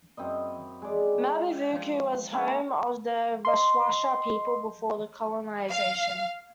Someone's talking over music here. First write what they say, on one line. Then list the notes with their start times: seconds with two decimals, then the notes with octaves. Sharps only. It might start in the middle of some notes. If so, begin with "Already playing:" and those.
Mabvuku was the home of the VaShawasha people before colonisation.
0.17 F#2 C4 E4 D#5
0.82 G#3 D5
1.73 F3
2.32 A#3 C#4 E4 A#5
3.45 D#5 C6
5.71 F5